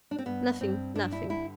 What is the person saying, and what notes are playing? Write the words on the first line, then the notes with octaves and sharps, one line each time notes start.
"Nothing, nothing."
D4
C4
G2 B3
G2 C4
G2 D4
E4
D3 E4